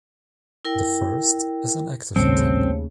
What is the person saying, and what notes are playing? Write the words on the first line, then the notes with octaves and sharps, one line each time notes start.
The first is an active attack.
E4 A#4 G5
A#1 D#2 A2 C#3 G3 A3 C4 C#5